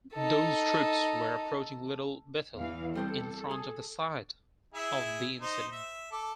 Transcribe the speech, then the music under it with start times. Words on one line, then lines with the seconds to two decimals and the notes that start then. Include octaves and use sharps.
Those troops were approaching Little Bethel in front of the site of the incident.
0.14 D#4 A4
2.56 E2 E3 F5
2.95 G3 C4 A4 C6
3.51 G#4
4.74 E4 G#4 E5
5.42 D#4 C5
5.72 E5
6.12 A4 D6